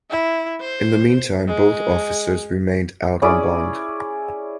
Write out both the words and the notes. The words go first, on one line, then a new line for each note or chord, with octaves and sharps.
In the meantime both officers remained out on bond.
E4
C5
G#3
C#4 E4 G#4 D5